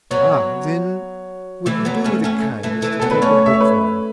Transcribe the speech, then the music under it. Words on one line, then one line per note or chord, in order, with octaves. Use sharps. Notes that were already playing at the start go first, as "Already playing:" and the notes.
'Ah, then would you do me the kindness to take a book for him?
F#3 B3 C#5
E3 A3
F#3 B3
A3 C#4
A3 C#4
E3 A3
E3 A3
F#3 B3 A4
B4
A3 C#4 C#5
E5
C#5
B4